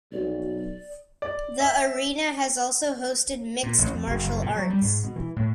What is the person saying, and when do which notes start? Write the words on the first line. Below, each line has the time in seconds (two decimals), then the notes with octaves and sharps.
The arena has also hosted mixed martial arts.
0.12 B1 D5
1.22 D5
1.60 E5
3.63 A#2
3.78 A1
3.92 F2
4.07 F#1
4.24 F#1
4.41 A#2
4.56 F#3
4.70 G3
4.81 G#2
5.04 B2
5.16 E3
5.36 A2